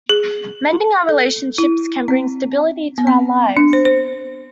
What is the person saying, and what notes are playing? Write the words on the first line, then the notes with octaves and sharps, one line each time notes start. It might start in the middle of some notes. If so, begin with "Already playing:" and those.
Mending our relationships can bring stability to our lives.
G#4
A4
E4
C4
B3
C4
D4
C5
C5